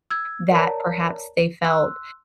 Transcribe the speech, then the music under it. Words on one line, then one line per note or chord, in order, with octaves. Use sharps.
that perhaps they felt
E6 G#6
A#4 C#5 D5 A5 A#5
C6 E6 F#6